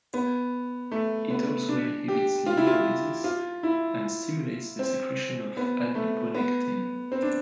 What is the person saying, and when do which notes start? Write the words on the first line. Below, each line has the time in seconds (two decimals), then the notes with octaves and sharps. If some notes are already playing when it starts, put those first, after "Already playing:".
It also inhibits lipolysis and stimulates the secretion of adiponectin.
0.14 B3
0.91 A3
1.30 B3
1.69 D4
2.08 G4
2.46 F4
2.57 E4
2.67 F4
3.24 F4
3.63 E4
4.79 C4
5.57 B3
5.95 A3
6.35 B3
7.12 C4
7.22 D4